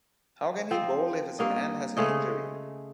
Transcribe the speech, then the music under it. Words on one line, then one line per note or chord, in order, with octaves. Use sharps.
How can he bowl if his hand has a injury?
F3 C4
G2 A#3 D#5
C#3 G#3 A3 D#5